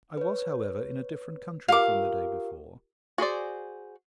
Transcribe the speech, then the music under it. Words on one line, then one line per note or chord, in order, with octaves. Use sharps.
I was, however, in a different country from the day before.
B4 C#5
F4 G4 A#4 F5 D6
F#4 G#4 C5 D5